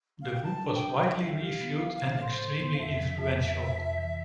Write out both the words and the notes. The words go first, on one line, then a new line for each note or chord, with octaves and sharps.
The book was widely reviewed and extremely influential.
F5
G5
G3 A5
D4
G5
G3
E3 G5
F5
G3 E5
F5
G4
B3
F3
A2
A2 C5
A2
B3
F5
F2 E5
F3
F2
F2
C3
F2
E3